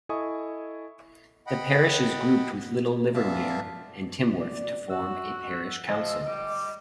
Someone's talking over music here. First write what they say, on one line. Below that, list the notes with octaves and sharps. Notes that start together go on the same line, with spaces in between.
The parish is grouped with Little Livermere and Timworth to form a parish council.
E4 A4 D#5 G#5 C#6 D#6
D#5 F#5 G5 B5
A#2 B3 D4 E5 F5 A5
D5
F#4 E6
F3 D#5
G3 D6